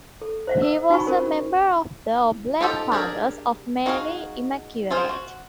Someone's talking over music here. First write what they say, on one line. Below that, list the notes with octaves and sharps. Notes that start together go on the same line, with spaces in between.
He was a member of the Oblate Fathers of Mary Immaculate.
A4
C5 E5 F#5
E6
D#4 F#4 F#5 G#5 B5 C#6
C#4 A#4 C5
D#4 F4 G4 A4
D4 G4 G#4 A#4
D#4 F#4 G#4 B4 F5
F4 G#4 C5 F5
F#4